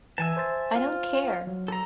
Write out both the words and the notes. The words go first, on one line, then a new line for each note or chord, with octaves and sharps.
I don't care!
E3 B4 E5 G#5 A5
C5 C6 A6
F4
F#3
A4 A#5